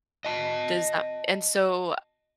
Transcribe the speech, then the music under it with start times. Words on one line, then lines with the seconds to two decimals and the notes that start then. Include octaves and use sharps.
Does that and so
0.25 D#5 A5